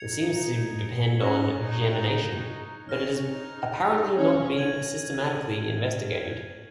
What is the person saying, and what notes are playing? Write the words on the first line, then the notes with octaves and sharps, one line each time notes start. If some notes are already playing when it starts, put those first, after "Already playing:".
It seems to depend on gemination, but it has apparently not been systematically investigated.
Already playing: G#6 C#7 F7
D#4
C#4 C#6 F#6 A#6
D#4
C#4 F6 A#6 F7
D#4
D#4
C#4
G#6 D#7 F#7